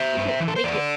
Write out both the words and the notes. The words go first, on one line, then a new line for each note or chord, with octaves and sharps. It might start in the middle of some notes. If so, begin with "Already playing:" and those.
You too. Thank you
Already playing: C5 E5
G2
E3
A4
C5
E2 A4 D5